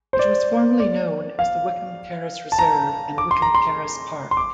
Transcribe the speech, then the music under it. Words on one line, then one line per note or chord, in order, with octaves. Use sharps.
It was formerly known as the Wickham Terrace Reserve and Wickham Terrace Park.
C5
D5
D5
F5
A5
A#5
D6
C6
A#5
C6
C6
D6